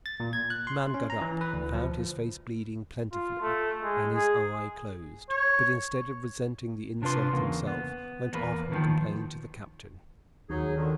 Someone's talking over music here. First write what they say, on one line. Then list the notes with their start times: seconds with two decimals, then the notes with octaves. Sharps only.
The man got up, found his face bleeding plentifully, and his eye closed; but instead of resenting the insult himself, went off and complained to the captain.
0.06 A6
0.20 A#2
0.33 G#6
0.50 F#6
0.67 C6
0.94 C#4
1.10 A#5
1.21 E3
1.41 B4
1.53 D2
1.75 F3
3.13 F4
3.41 A3
3.83 G#3
4.15 G#4
5.30 C#5
7.02 C3 D4 F4 B4 C6
7.33 E2 C#3 A#3
7.67 B3
8.33 E2 A#3 B4
8.71 D#2 B2 D3 D#3 F3
10.50 D#2 F#3 D#4 G#4
10.77 D3 D#3